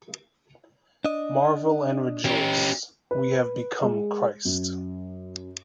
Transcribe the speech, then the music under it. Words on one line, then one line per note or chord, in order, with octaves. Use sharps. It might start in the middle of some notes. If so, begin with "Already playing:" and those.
Marvel and rejoice: we have become Christ.
D4 D#5
C#4 G4
B4
G#3
F#2